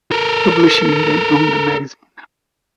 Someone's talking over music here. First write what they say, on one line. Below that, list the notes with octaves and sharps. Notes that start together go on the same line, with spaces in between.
Publishing then owned the magazine.
A4 A#4